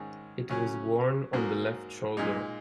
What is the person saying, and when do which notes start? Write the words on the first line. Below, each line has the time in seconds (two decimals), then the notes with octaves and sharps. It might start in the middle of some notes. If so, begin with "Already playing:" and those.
It is worn on the left shoulder.
Already playing: G#2 D#3 G#3 C#4
0.49 C#3 F#3 C#4
1.33 G#2 F#3 A#3
2.17 A#2 G#3 D#4